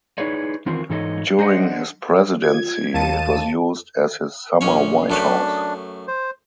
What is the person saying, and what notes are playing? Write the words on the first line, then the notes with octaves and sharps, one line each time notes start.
During his presidency, it was used as his Summer White House.
D#4 E4 G#4 B4 C#5 D5
D#3 E3 C4 F4 F#4 A#4
G#2 E3 D#4 A4 C#5 D#5
D4 C5 D#5 E5 F#5
F4 G#6
D#2 F5 A5 D#7
A#1 C#4 C#5
F#2 A3 D4 B4
C5